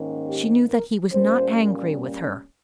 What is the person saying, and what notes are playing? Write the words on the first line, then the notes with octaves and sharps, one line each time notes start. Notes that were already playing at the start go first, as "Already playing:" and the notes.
She knew that he was not angry with her.
Already playing: G#2 D#3 A#3 C#4
G4
A#4
A#2 G3 A#3 C#4 C5